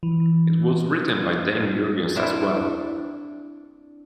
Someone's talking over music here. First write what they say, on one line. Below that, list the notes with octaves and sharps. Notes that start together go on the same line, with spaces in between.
It was written by Dan Jurgens as well.
E3
C4 D4 E4